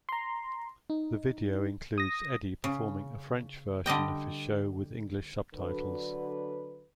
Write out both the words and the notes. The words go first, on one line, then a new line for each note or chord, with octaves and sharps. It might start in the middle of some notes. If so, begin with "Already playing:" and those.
The video includes Eddie performing a French version of his show with English subtitles.
A#5 C6
D#4
D#6 A#6
C#3
D3 G3 D#5 G5
D3 F#3 B4